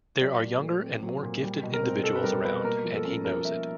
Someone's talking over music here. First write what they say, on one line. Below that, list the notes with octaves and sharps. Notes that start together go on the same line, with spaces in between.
There are younger and more gifted individuals around and he knows it.
F#3 D5
A#2
A3
C4
F#3
A#2
G3
B2
A#4
C4
B2 A4
B4
G3 A#4
B2 B4
A#3 A#4
F3
A4
C#4
F3 A#4
A#3 E5